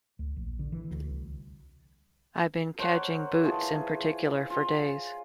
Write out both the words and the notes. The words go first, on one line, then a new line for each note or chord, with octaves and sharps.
I've been cadging boots — in particular — for days.
D2
A#1
D3
E3
D2
C2
A#4 C5 C#5 F#5
E3 F4 G#4 A5
F4